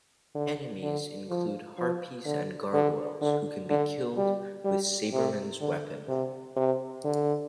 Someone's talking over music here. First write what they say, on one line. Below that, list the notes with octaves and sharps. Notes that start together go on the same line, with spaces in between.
Enemies include harpies and gargoyles, who can be killed with Sabreman's weapon.
D3
D3
F3
F3
D3
D3
D3
D3
G3
G3
C3
D3
C3
C3
D3